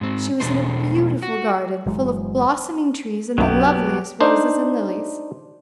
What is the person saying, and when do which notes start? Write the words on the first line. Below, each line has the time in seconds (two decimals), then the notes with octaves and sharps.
She was in a beautiful garden, full of blossoming trees and the loveliest roses and lilies.
0.01 G#2 C4
0.40 E2 B2 A3 D4 C5
1.23 F#4
1.86 G1 E3 F#3 G#3
3.38 B1 F#2 F#3 B3 G4
4.21 D4 D#4 C5